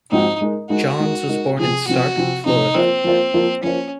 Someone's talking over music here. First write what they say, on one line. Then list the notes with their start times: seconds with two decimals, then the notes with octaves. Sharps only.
Johns was born in Starke, Florida.
0.11 G#2 F3 C4 D#4 F#4 C5
0.41 G#3 D#4 A#4
0.69 G#3 D#4 F#4 A#4
0.99 G#3 D#4 A#4
1.28 G#3 D#4 A#4
1.57 C3 F3 C4 G#4
1.87 C3 F3 C4 F#4
2.16 C3 F3 C4
2.46 C3 F3 C4 D#4
2.75 F3 A#3 C4 F4 C5
3.04 F3 A#3 F4 C5
3.34 F3 A#3 F4 C5
3.63 F3 A#3 C#4 F4 C5